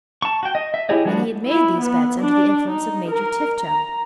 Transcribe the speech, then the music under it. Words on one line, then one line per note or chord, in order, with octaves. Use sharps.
And he had made these bets under the influence of Major Tifto.
A5 C#6
F#4 G5
D#5
E5
E4 G4 G#4 C#5 D#5
F3 G3 B3 D4 F#4
E4
B3
D4
D#4
A#4
A#5